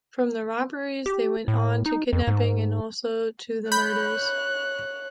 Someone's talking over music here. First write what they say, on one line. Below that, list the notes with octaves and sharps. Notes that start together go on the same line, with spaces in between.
From the robberies they went on to kidnapping and also to the murders.
G4
A2
D#4
F2
G#2
C#5 B5 F#6 G6